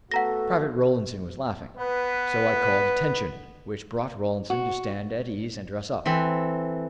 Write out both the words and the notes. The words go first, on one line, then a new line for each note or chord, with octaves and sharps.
Private Rollinson was laughing, so I called "Attention!" which brought Rollinson to stand at ease and dress up.
A3 B3 F#4 A4 F#5 A#5 A#6
B3 B4
F#4
E3 C4 A4 B5